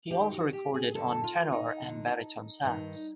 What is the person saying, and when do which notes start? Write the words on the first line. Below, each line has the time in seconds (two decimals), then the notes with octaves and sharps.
He also recorded on tenor and baritone sax.
0.10 F#2 D#3 G4
0.32 F#4
0.53 G4
0.74 G#4
0.95 F#2 D3 A4
1.24 F4
1.52 D#4
1.80 F2 D3
2.64 G2 D#3 D#4